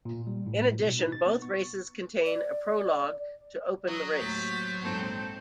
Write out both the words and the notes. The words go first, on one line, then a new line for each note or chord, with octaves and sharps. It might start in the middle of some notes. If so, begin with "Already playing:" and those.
In addition, both races contained a prologue to open the race.
A#2
G3
A2
B2
D#4
A6
B3
C#6
D5
F#3 A#5 D#6
D#2 A2 C5 A6 B6
A#1 G#2 C4 A4